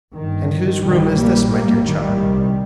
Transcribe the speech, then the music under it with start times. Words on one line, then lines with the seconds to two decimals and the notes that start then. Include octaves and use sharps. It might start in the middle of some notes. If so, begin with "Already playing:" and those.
"And whose room is this, my dear child?"
0.14 G1 G2 D#3
0.82 A#1 A#2 D#3 G3
1.17 G3 A#3
1.51 A#1 A2 G3 A#3
1.86 D#3 G3
2.20 C2 C3